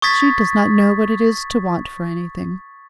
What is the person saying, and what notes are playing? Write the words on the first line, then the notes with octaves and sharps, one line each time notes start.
"She does not know what it is to want for anything."
C#6 D#6 G#6 A6 B6